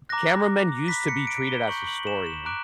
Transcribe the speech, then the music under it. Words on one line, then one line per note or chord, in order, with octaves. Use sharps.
cameramen used to be treated as historians,
A#5 D6 F#6 A#6
B5 F#6 B6
C#7
D7
G7
A#5 C#6 G6 F#7
F#7
E7
E7
A#5 D6 F#6 D7